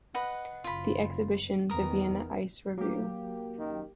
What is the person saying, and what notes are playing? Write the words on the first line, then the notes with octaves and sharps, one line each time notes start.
The exhibition The Vienna Ice Revue.
B4 D#5 F#5
F#1 F4 B5
E2 D#3 B3 A#4 D#6
F#3 A#3 G4
F#2 D#3